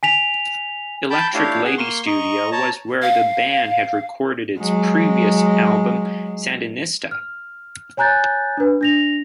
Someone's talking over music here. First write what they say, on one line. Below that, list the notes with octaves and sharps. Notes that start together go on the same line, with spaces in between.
Electric Lady Studio was where the band had recorded its previous album Sandinista!
G#5 B6 F7
G5 A5 B5 G6
A3 D4 E4 G4 C#5 F5
G#4 F#5
A#3 C6 C#6
D#5 A#5 C#6
C#5 A5 A#5
F5
F#3 G#3
F6
C#5 G#5 A#5 F#6 G6 A6
D4 B4
D4 A#6 F7